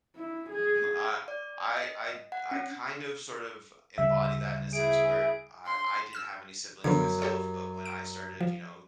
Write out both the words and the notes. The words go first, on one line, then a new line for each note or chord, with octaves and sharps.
M I I I I kind of, sort of, embody that in a sense where I I didn't have any siblings myself, but when I started, you know,
E4
G#4
D5
D#5
F#5
C#4
D2 C#3 G3 E5
E4 G#4 E5 D7
C6
E6 F6 E7
F#2 D3 F3 B3
G4 A4 C#5
D7
F3